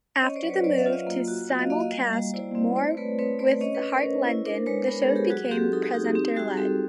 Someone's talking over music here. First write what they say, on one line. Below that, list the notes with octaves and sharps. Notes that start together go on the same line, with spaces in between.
After the move to simulcast more with Heart London, the shows became presenter-led.
C#4 C#5 D#5
C5 D5
F#3
B4 C#5
F#3 C5 D5
E5 F#5
F4
D#5 F5
A#3
F#4
F#4
D#5 F5
A#3 D#5 F5
D#5 F5
G3
G3
E4 C5 D5
C4
A3 C5 D5
C5
A3 B4 C#5
C4 B4 C#5
A3 C5 D5
C#4 C#5 D#5
B4 C#5
C#4
A#4 C5
C#4
E4
D4 A#4 C5
G#3 B4 C#5
B3 A#4 C5
G#4 A#4
G#3
G4 A4
F#3 F#4 G#4
C4 G4 A4
D#4 G4 A4
F#4 G#4
D#4 G4
G4
C4 G4
G3 F#4 G#4
C4 G4 A4